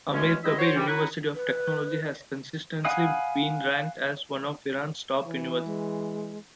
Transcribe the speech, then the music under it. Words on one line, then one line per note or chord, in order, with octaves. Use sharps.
Amirkabir University of Technology has consistently been ranked as one of Iran's top universities.
B2 G#3 A3 C#4
G3 G#3 E4 D#5 E5
F#4 C5 C#5
C3 D#3 E3 G3
C#4 D#4 E4 F#4 B4
B4
F5 F#5 G#5 B5 D#6
E3
G#3